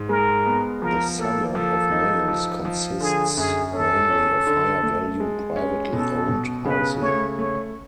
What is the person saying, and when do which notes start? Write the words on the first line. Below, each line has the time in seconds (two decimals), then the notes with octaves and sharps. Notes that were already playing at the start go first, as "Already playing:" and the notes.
The suburb of Mayals consists mainly of higher value privately owned housing.
Already playing: G#2
0.09 G#3 A#4
0.46 B3
0.82 F3 A#4
1.19 A#3 A4
1.55 F3 A4
1.92 D#4
2.28 F3
2.65 F3
3.00 D3 G#4
3.37 F#2 G#4
3.73 C#4 A4
4.10 C#4
4.47 D3
4.83 A3
5.20 G#3
5.56 C#4
5.92 B2 A4
6.29 B2
6.65 C#3 B4
7.01 A3 C#5
7.37 A3 C#5